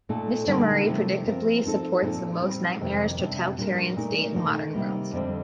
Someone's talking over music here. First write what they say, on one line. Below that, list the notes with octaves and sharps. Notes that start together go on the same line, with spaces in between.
Mr Murray predictably supports the most nightmarish totalitarian state in the modern world.
A#2 A3 D#4 A4
D3 G3 A#3 D#4 A#4
C3 F3 A3
F3 C4 F4 A#4
F3 C4 D#4 A4
A#2 F3 C4 D#4 A4
G3 C4 D#4
F2 C3 D#3
C3 G3 D4
A#2 G3 D4 F4 A#4
A#2 A3 D#4 A#4
D#3 A3 D#4 A4
C3 G3 A#3 D#4
F2 D3 G3 C4